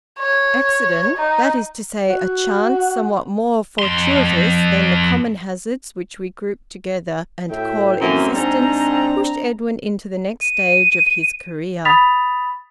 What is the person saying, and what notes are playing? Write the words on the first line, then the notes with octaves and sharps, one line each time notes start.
Accident--that is to say, a chance somewhat more fortuitous than the common hazards which we group together and call existence--pushed Edwin into the next stage of his career.
C#5
D#4
F#4
F2 C6
A2 F#4 E5 G5
F#2 A#3 C4
G#2 D4 A#5
D#7
B5 D#6 A6 B6 F7